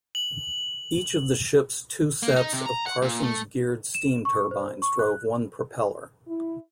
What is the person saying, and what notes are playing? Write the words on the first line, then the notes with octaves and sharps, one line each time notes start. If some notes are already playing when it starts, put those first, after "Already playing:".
Each of the ship's two sets of Parsons geared steam turbines drove one propeller.
F#7
A#3
D#4
C3
A#5
F#5
A#2
A3
E7
C#6
C5
C#6
F#6
E4